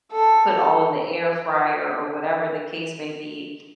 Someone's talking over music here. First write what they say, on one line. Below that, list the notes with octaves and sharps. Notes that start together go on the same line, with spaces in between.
put all in the air fryer or whatever the case may be.
A4